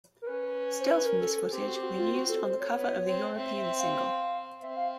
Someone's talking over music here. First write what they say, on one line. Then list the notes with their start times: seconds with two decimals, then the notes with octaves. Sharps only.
Stills from this footage were used on the cover of the European single.
0.22 A#4
0.27 C#4 B4
0.80 C5
0.90 B4
1.05 A#4
1.20 A4
1.36 A4
1.51 C4 G4
1.67 F#4
1.76 G4
1.83 F#4
1.98 F4
2.14 F#4
2.29 A4
2.45 C5
2.60 C#5
2.75 B3
3.06 C4
3.37 C4 E5
3.58 E5
3.79 F5
4.62 C4 E5
4.77 F5